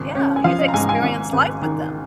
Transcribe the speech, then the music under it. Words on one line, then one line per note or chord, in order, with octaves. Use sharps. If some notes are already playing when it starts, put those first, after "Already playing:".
Yeah, you've experienced life with them.
Already playing: G#1 C#3
C#4
G#5
F3 F5
D#5
A#5
G#2 G#5
G#5
G#1
G#1
D#3